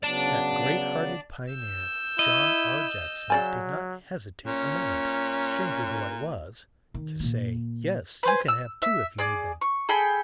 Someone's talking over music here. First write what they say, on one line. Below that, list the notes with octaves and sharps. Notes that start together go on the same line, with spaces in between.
That great-hearted pioneer, John R. Jackson, did not hesitate a moment, stranger though I was, to say, "Yes, you can have two if you need them."
C#3 F#3 B3 D5 A5
E6 G6
E4 D#5
C#3 F#3 D5 G#5
A#2 C#4
D#3
A#2 A#3
B4 C5 G#5
E6
E5
G#4 D5
C#6
G#4 A4 G5 B5